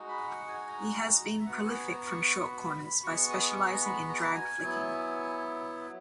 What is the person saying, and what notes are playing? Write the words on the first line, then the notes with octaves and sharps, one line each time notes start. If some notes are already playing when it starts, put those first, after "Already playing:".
He has been prolific from shortcorners by specialising in drag flicking.
Already playing: G#3 D#4 F#4
B5
F#5
G#5
A#5
E5
B3 F#4 F#5
G#5
A#5
C#6
C#6
B5
B5
B5
G#3 B3 F#4 C#6
D#6
C#6
A#5
B5
A#5
G#5
F#3 B3 E4